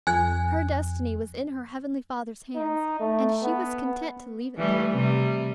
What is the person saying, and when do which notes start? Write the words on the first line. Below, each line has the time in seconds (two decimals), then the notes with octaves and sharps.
Her destiny was in her Heavenly Father's hands, and she was content to leave it there.
0.07 F2 G#5 F#6 G#6
2.55 D#4
3.00 A3
3.43 B3
4.56 E3 G3 A3
4.92 C3 G3